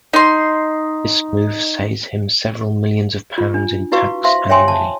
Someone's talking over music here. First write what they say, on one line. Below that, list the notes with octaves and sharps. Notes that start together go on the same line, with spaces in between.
This move saves him several millions of pounds in tax annually.
D#4 C6
F4
D4
E4 F#4 B4 F5 C#6
C5 E5 F5 C6
C#5 E5 G5 G#5 C6
A5